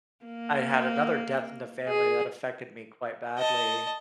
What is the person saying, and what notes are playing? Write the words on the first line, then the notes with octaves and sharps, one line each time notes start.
I had another death in the family that affected me quite badly,
A#3
G#4
D#5 A5